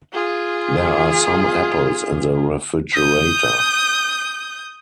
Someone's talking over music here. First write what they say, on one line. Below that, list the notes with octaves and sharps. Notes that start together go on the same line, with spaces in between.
There are some apples in the refrigerator.
F4 G#4
D#6 G6